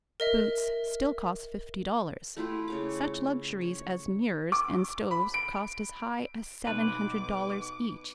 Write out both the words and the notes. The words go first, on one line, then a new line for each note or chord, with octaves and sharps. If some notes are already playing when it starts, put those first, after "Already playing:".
Boots still cost fifty dollars. Such luxuries as mirrors and stoves cost as high as seven hundred dollars each.
A#4 D#5 E5
A3 E4 F4 G4
C#3 C#5 D6
C#5
D6
B5
D7
B1 B4 D6